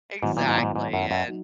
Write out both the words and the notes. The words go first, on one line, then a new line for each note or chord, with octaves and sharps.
Exactly, and
G#2 D#3 F#3 B3 E4
A#2
G#2
A#2
G#2
G#2
F#2
F#2
F#3 D#4